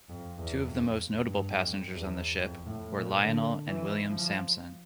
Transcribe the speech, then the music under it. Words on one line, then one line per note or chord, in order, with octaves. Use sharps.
Two of the most notable passengers on the ship were Lionel and William Samson.
F2
E2
F2
G2
F2
E2
F2
A2
A#2
D3
E3
F3